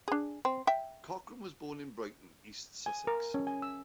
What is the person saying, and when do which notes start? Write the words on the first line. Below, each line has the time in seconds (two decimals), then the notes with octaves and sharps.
Cochrane was born in Brighton, East Sussex.
0.08 D4 G#4
0.45 C4
0.67 E5 G5
2.86 G#5
3.07 A#4
3.34 C#4
3.47 G#5
3.62 E6